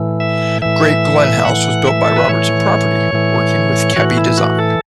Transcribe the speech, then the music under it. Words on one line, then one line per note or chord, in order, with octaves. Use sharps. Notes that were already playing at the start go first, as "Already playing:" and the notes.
Great Glen House was built by Robertson Property, working with Keppie Design.
Already playing: A2 E3
E5
A2 E3 E5
A2 E3 F#5
E5
A4
B4
A2 E3 C#5
A2 E3
A2 E3 F#4
E4
F#4
A4